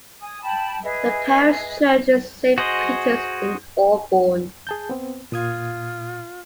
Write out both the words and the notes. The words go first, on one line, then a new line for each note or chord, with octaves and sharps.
The parish church is Saint Peter's in Aubourn.
G#5 D#6
G5 A5 B5
G#4 B4 D#5 E5
F#4 G#4 C5 D#5
G#4 A5 G6
B3 C4
A#2 F4 D#6 G#6